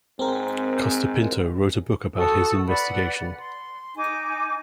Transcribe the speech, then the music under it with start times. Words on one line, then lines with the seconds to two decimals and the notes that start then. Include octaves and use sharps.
Costa Pinto wrote a book about his investigation.
0.19 G#2 C4 A#4
2.16 F#4 A4 D#6 E6
2.68 B4 D5 F#5 B5
3.39 C6
3.96 D#4 G#5 D6